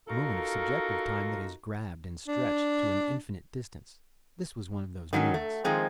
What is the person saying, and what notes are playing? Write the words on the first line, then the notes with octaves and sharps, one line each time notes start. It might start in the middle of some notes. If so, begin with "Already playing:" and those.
A moment of subjective time that is grabbed and stretched to an infinite distance. This was one of those moments.
D#4 F4 F#4 A4 A#4
D4
D#3 F#3 B3 C#4
A3
D#3 F3 G#3 C4